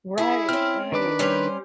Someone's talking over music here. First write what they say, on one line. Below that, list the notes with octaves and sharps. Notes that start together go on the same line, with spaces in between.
right, right.
E4 G#4
C4 C#4 F6
D#3 D4 B4 D6
G3 C#4 C5